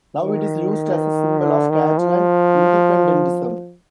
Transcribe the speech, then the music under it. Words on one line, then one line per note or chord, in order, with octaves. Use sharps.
Now it is used as a symbol of Catalan independentism.
D#3
D3
D#3
F3